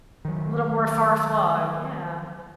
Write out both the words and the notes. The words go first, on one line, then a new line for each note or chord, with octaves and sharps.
A little more far-flung, yeah.
D#3 F#3